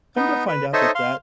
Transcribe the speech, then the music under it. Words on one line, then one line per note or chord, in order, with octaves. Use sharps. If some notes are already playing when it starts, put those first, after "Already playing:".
Come to find out that that
B3 D#4
B4
D#4 A4 C5 C#5 D#5 E5
F5 C6